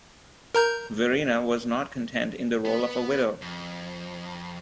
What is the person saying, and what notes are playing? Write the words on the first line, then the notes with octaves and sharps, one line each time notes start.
Verina was not content in the role of a widow.
A#4 A#5 G6
B3
F2